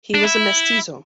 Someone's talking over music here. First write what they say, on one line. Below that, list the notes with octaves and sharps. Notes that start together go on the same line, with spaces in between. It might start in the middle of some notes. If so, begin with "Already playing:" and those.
He was a mestizo.
D4
E4